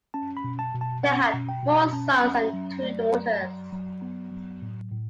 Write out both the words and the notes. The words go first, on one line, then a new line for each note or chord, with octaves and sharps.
They had four sons and two daughters.
C#4 A5
B5
B2
A5
B2
A5
C#4 F#5
B2
G5
B2
C#4 A5
C#4
E5
F#3
A3 D5
F#3
F#3
F#3
B3
F#3
A2
A2